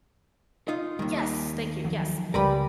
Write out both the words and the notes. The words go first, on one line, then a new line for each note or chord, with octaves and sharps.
Yes, thank you, yes,
D#4 F4 D#5
D#2 D#3 G3
F3 F#3
C#2 C#3 G3 A#4 B4 B5